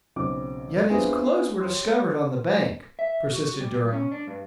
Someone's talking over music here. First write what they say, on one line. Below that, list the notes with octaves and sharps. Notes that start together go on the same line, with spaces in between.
"Yet, his clothes were discovered on the bank," persisted Durham.
B1 C#3 C4 D6
B3 C4 D4 E4 F4 G#4
G4 C#5 C6
E5
F#4
G3
C#4
D4
G2